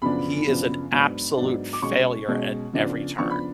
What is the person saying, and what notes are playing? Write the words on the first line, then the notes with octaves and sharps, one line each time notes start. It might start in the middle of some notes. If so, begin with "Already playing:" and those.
he is an absolute failure at every turn.
F#2 C#3 F3 B3 D4 B5
F#2 C#3 F3 B3 D4
G#2 F#3 B3 D4
G#2 F#3 B3 D4
D6
B2 G#3 C#4 C#6
B2 G#3 C#4
C#3 F3 B3 D4
C#3 F3 B3 D4 C#6
B5